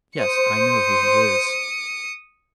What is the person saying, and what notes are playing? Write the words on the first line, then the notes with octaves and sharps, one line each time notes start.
"Yes; I know who he is."
C5 D#6 C#7